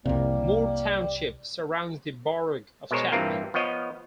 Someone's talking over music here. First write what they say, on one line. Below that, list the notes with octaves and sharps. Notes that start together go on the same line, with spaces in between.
Moore Township surrounds the borough of Chapman.
C2 F2 C3 G3 A#3
B2 G#3 A#4 C5 C#5
G2 E3 A#3 C4 F4 A#4
F3 B3 C#5 D#5